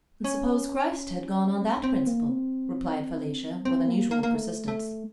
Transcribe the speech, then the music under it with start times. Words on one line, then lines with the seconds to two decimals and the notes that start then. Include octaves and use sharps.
"Suppose Christ had gone on that principle," replied Felicia, with unusual persistence.
0.24 C#4
1.61 C4
1.83 C4
2.07 A#3
2.29 C4
3.65 C4
3.88 A#3
4.11 A#3
4.23 A#3
4.34 A3
4.68 A3